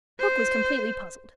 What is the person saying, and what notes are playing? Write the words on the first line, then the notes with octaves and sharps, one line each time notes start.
Hook was completely puzzled.
C5